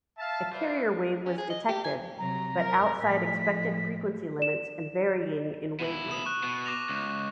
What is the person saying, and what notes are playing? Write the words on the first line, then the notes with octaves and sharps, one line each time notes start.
A carrier wave was detected, but outside expected frequency limits and varying in wavelength.
E5 F5 A5
F4 B4 C5 D5 E5
C#4
G#4
D#5
G4
G#5
C3 F#3 A#5
A#4
A2 F3 B6
D5 E7
B2 E4
D#6 E7
C#6 F#6
B2
D6 A#6 F7
C#2